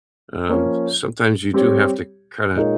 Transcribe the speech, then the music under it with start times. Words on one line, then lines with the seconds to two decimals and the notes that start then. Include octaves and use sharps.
um, sometimes you do have to kinda
0.49 F3 A#3 C#4
1.53 G3 C4 G4 C#5
2.56 A#2 G#3 D#4 A#4 C#5